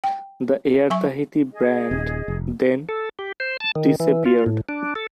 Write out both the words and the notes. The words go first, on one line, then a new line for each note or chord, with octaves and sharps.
The Air Tahiti brand then disappeared.
G5
F#3 E5 G#5 C#6
G#4 D#5
D#1
F1
A4
G4
C5
A5
D#3
E3
F4
A2
D4
A4